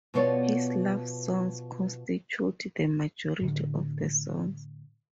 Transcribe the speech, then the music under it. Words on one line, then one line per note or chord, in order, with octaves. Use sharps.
His love songs constitute the majority of the songs.
B2 F3 B3 C#5 D5
A2 D3